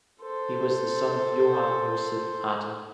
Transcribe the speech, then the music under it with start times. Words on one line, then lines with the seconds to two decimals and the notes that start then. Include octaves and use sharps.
He was the son of Johann Josef Adam.
0.22 A4 C5